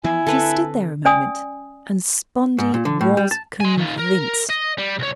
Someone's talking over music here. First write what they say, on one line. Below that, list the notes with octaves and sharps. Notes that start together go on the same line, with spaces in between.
She stood there a moment and Spondee was convinced.
E3 F3 B3 E4 G#5
D3 C4 A4 B4
C#4 D5 G#5 D#6
G#2
A#2
D3
A2
G3
A5
G#5 C6
D#3 F4
A#4
D#5
G3
C2 C#5